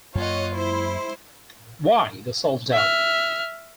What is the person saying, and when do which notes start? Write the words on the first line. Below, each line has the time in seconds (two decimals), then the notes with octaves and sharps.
Why the self-doubt?
0.15 F#2 A#3 F4 C#5 D#5 F#5
0.55 G#3 E4 C5 C6
2.72 E5 F6